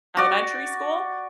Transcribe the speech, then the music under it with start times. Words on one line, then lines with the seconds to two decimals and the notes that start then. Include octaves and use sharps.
elementary school,
0.17 F#4 D5